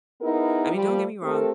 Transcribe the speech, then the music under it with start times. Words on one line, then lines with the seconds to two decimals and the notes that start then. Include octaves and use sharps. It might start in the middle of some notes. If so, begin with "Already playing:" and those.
I mean, don't get me wrong;
0.22 B3 D#4 E4 G#4 A#4
0.74 F3 G3
1.23 A3 C4 G4 A4 A#4